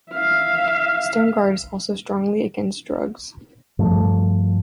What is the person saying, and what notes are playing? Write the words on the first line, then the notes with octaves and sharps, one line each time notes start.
Stonegard is also strongly against drugs.
E5 F5
G2 F3 A3